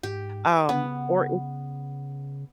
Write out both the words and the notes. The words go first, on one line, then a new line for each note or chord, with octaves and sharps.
um, or
G#2 G4
C#3 B3